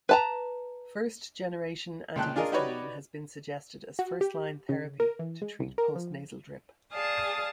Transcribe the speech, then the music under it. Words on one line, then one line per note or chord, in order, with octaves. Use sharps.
First-generation antihistamine has been suggested as first-line therapy to treat post-nasal drip.
B4 A5 A#5
C#2 A#2 G5 A5 F#6
D4 F4 G#4 A#4 D#5
D#4 F#4 G4 B4 C#5 D5
F#4
G4
C#3
A#4
E3
G#3
C2
A#4
F3
G#4 D5 F5 A5 D#6